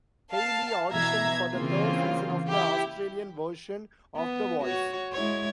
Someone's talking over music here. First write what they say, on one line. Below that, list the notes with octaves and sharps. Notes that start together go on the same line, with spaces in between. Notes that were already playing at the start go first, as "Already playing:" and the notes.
Hayley auditioned for the third season of the Australian version of "The Voice".
F5 A5
B2 E3 E5 A#5 G#6
C#3 E3 A#3 C4 F4
E4 G4
B3
F#4 C#5
G#3 E4 C#5